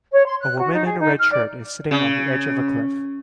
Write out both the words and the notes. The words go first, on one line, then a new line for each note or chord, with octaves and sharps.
A woman in a red shirt is sitting on the edge of a cliff.
C#5
C6
F#6
F#4
D#4
G#4
D#4
F6
D5
C#3